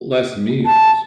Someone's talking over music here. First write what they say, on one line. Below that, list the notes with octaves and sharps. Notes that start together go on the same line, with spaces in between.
less meals,
A5